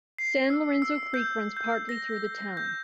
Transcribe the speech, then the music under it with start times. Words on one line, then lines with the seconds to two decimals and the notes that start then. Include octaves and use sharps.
San Lorenzo Creek runs partly through the town.
0.18 C7
0.50 E6
0.82 E6
1.14 G6
1.57 G6
1.89 A#6
2.57 G6